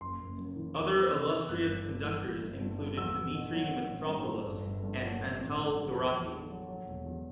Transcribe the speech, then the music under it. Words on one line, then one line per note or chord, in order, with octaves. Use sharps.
Other illustrious conductors included Dimitri Mitropoulos and Antal Dorati.
F#1 C6
F#1
F#2
E3
E2 D6
E2
C3 E6
E3
G1 F#6
G1
G2
E3
G1
G1
G2
D3
E2 E6
E2
B2
F#3
F#3
A1
G2
D3
G1
G1
G2
F#3
A1
A1
A2
F#3
E2 A5
E2
D3
F#3
F#3
E1
E2